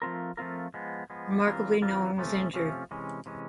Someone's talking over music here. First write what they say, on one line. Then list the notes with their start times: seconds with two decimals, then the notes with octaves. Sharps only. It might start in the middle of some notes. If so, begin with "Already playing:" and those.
Remarkably, no one was injured.
0.02 F3 A3 C4 F4 A#4
0.37 F3 A3 C4 F4 A#4
0.74 F3 G#3 B3
1.10 F3 G#3 B3
1.46 E3 G3 C4 F4 A#4
1.82 E3 G3 C4 F4 A#4
2.18 C3 F3 A3 C#4
2.54 C3 F3 A3 C#4
2.91 C3 E3 G#3 C#4
3.26 C3 E3 G#3 C#4